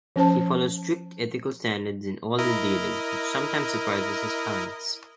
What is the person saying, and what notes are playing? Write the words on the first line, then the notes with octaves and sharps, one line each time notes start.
He follows strict ethical standards in all his dealings, which sometimes surprises his clients.
F3 C#4 C5 A5
E4 A#4 D#5